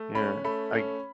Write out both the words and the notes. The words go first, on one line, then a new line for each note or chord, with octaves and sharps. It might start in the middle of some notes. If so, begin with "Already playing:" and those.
Yeah, I
Already playing: A3
C#4 B5
A3 B5
C#4